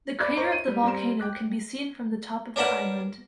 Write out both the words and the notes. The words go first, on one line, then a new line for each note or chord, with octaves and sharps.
The crater of the volcano can be seen from the top of the island.
D5 B5 D6
A#4 C5 C#5 D#5 A#5 D6
D#7
G3
G3 C4 A#4 C6 E7
G5 D6 F#6
C#4 D4 A#4 B4 F#5 A5